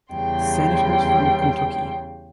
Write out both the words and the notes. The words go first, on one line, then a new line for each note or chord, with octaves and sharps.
Senators from Kentucky.
E2 C#3 G3 G5 C6